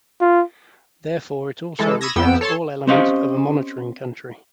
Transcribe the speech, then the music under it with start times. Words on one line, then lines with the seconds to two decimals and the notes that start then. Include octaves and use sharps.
Therefore, it also rejects all elements of a monitoring country.
0.21 F4
1.79 E3 G#3 A4
2.01 B5 C#6 D#6 E6 G#6 A#6
2.16 F2 B3 G5 E6
2.41 A4 C#5 A5 C6
2.87 C4 C#4 G4 C5 D#5 F5